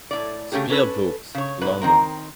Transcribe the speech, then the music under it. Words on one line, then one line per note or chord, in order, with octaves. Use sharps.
Sphere Books, London.
A2 D5
C#3 A3 C#4 G4 G#4
C#4 A4 B4
C#3 C#5
G#2 B2 B4
D#3 C4 A#4